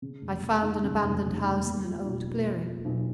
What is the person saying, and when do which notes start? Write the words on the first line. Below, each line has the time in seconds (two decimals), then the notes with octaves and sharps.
I found an abandoned house in an old clearing.
0.02 C#3
0.22 F1
0.43 F1
0.62 D#2
0.83 C#3
1.03 F1
1.23 F1
1.44 D#2
1.64 A#3
1.84 F4
2.05 B1
2.24 B2
2.44 A#3
2.65 F4
2.85 B1